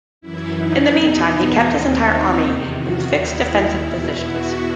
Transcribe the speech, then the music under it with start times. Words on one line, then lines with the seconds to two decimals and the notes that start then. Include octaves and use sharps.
In the meantime, he kept his entire army in fixed defensive positions.
0.21 F#2 E3 E4
0.59 D#4
0.95 E2 B2
1.31 B3
1.67 D#2 D#3 C4
2.03 D#4
2.40 E2 C3 D#3
2.76 F#4
3.12 D#2 D#3 E4
3.84 E2 B2 E4
4.21 F#4